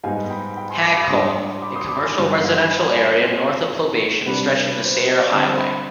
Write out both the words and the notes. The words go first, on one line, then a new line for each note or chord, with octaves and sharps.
Hagkol- a commercial-residential area north of Poblacion stretching the Sayre Highway.
G#2 G3 B3 D#4 F5 G#5
G5 B5
G5 B5
G#5 C6
B5 D6
B5 D6
G#2 G3 D4 C6 D#6
B5 D6
C6 D#6
B5 D6
G#5 C6
G2 D3 G3 B3
D#5
F5
G5
G#5
G5 B5
C6
B5
F5 G#5
B2 G#3 C4
C3 G3 B3 D4 B4
C5
C5 D#5
D5 F5
D3 G3 C4
G5 B5